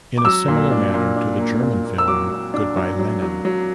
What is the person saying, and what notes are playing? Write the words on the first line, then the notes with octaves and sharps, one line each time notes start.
In a similar manner to the German film Good Bye Lenin!
D6
F#3 E6
A#2
D4
A#2
D4
A#3
A#2
A#3
E6
F#3 D6
F#3
D4
F#3
F#3
F#3
F#3